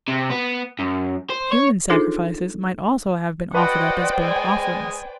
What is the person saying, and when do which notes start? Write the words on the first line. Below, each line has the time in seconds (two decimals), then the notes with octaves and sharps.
Human sacrifices might also have been offered up as burnt offerings.
0.08 C3
0.30 B3
0.79 F#2
1.30 C5
1.52 C#5
1.90 D4 D#4 F4 G#4 A4 C5
3.55 F#4 B4 C5 D5 D#5 F#5 G5
4.20 G#3 D#5 G#5